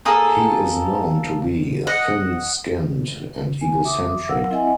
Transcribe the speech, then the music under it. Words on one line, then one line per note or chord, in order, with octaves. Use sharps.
He is known to be thin-skinned and egocentric.
A#3 G#4 A4 D#6
D#5 F#5
G#5
E5 D6 D#6
F#3 A#4 F5 F#5 E6
C4 E4 D#5 E5 F#5 G#5